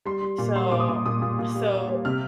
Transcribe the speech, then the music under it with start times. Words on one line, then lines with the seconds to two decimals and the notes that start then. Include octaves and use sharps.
So, so
0.05 G3 C6
0.22 G3
0.38 A#2
0.55 G3 C6
0.72 A#2 D6
0.80 D#6
0.89 A#2
1.06 A#2 D#6
1.22 A#2
1.39 A#2
1.55 G3
1.72 G3
1.88 G3
2.05 C3 F6